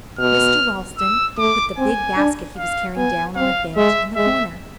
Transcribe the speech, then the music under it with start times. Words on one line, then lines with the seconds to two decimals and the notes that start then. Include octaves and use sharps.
Mr. Ralston put the big basket he was carrying down on a bench in the corner.
0.19 B2 F6
0.98 E6
1.37 A3 D6
1.78 C4 G#5
2.17 D4
2.57 F5
2.97 B3 G#5
3.36 C4 F5
3.76 G#3 E5
4.16 G#3 E5